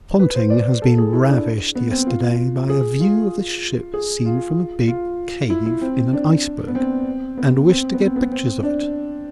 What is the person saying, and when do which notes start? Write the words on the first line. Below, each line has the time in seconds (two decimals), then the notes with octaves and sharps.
Ponting has been ravished yesterday by a view of the ship seen from a big cave in an iceberg, and wished to get pictures of it.
0.19 B4
0.35 C5
0.50 D5
0.82 A4
0.98 G#4
1.13 E4
1.29 D4
1.75 B3
1.91 C4
2.07 F4
2.69 G#4
3.00 F4
3.94 G#4
4.25 F4
4.88 F4
5.50 E4
5.66 E4
5.81 C4
6.13 D4
6.68 B3
6.75 C4
7.38 B3
7.69 C4
7.94 B3
8.00 C4
8.16 B3
8.32 C4
8.63 D4